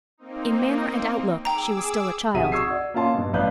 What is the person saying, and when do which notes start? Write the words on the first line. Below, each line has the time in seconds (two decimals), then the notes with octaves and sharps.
In manner and outlook she was still a child.
0.18 A#3 C4 D#4
1.45 G#4 G5 A#5 D6 E6
2.34 B1 C3 F#4 G#4 E5 D#7
2.52 C#6 D#6 E6 G#6 C7
2.66 F#4 D5
2.94 A#3 C#4 F4 F5 A5 C6
3.14 G2 B2
3.33 A1 B4 D5 F5 F#6 G6